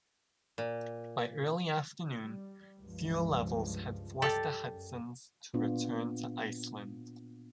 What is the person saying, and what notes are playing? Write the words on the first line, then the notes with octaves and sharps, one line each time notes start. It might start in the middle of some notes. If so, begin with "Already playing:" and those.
By early afternoon, fuel levels had forced the Hudsons to return to Iceland.
A#2
G3
C#2 G2 F3
G4 A4 D5
F#2
A#2 B3 D4 F4